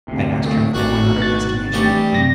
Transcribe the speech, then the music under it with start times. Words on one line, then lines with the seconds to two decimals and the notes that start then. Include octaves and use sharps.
I asked her if that were not our destination?
0.08 D2 C3
0.46 A#1 A2
0.74 G#1 A3 D4 F#4 A#5
1.22 A6
1.73 A1 G3 D4 C#6
2.13 F#2 C3 A#6